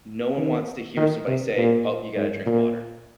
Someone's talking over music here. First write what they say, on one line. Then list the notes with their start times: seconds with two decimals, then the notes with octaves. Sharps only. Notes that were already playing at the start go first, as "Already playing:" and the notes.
no one wants to hear somebody say, "Oh, you gotta drink water,"
0.37 D#3
0.97 D#3
1.27 C3
1.57 A#2
2.16 G#2
2.46 A#2